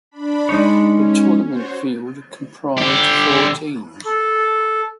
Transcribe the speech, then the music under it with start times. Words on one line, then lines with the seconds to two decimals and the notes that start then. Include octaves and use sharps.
The tournament field comprised four teams.
0.11 D4 B5
0.49 G#3 D#4 C#5
0.88 C#4
1.47 F#4 C5 C#5
2.78 D3 G4
4.05 A4